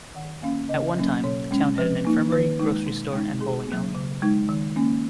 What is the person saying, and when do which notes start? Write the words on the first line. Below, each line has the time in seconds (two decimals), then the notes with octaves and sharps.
At one time, the town had an infirmary, grocery store, and bowling alley.
0.15 D#3 F#5
0.42 A#3 C#4 F5
0.69 C#3 D#5
0.97 F#3 A#3 C#4
1.24 B2 C#5
1.51 G#3 C#4
1.78 F3 B4
2.05 A#3 D#4
2.32 D#3 B4
2.59 G#3 D#4
2.87 B2
3.13 G#3 D#4
3.40 B2 G#4
3.67 F#3 A#3
3.95 C#3
4.22 G#3 D#4
4.49 D#3
4.76 A#3 C#4